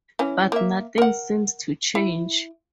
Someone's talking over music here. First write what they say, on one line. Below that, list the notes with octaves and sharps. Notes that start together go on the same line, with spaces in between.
But nothing seems to change.
E3 C#4
A#3 E5
A#4 F#5
E4